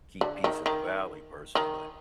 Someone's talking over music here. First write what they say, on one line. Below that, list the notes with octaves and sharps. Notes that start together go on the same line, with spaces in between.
keep peace in the valley person, but
D3
D#3
D#3
D#3